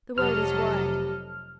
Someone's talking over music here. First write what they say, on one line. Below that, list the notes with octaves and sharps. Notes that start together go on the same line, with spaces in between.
The world is wide.
F1 F#3 G4 A4 D#5 F6